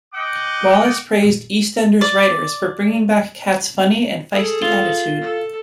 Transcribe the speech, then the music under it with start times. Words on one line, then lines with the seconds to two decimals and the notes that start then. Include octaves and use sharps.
Wallace praised "EastEnders" writers for bringing back Kat's funny and feisty attitude.
0.14 D#5 F#5 G5 D6
2.01 D5
4.32 G#4 A4
4.62 F4
5.21 A4